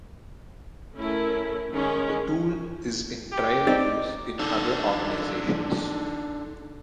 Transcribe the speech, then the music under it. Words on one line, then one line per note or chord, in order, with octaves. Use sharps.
The tool is in trial use in other organisations.
A3 C#4 E4 A#4
D#3 G#3 C#4 A#4
G4
C4 D#4 D5
D4 D#4 A4